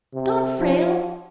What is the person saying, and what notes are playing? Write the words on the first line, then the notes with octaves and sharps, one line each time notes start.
Don't, Frale.
C3
F3